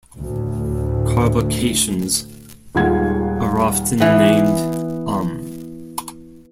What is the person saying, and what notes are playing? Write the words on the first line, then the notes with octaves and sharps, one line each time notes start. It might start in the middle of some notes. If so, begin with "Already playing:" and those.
Carbocations are often named "-um".
D2 A2
D#1 D#2 G#3 F4 F#5 G#6
E3 B3